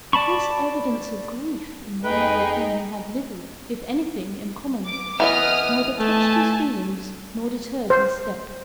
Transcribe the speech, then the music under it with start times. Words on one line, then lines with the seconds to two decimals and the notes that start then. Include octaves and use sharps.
But this evidence of grief in one with whom he had little, if anything, in common, neither touched his feelings nor deterred his step.
0.13 D5 A5 B5 C#6
2.04 F2 D#4 G#4 B4 G5
4.86 D6
5.20 E3 B3 D#5 D#6 F6
5.99 A3 G#5 A5
7.90 C5